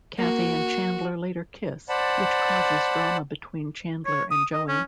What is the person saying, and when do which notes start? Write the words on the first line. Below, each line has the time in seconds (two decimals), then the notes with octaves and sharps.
Kathy and Chandler later kiss, which causes drama between Chandler and Joey.
0.19 A#3 F#4
1.89 C5 D5 F#5 A5 B5
4.06 C#5
4.31 D#6
4.53 D#5
4.68 C#4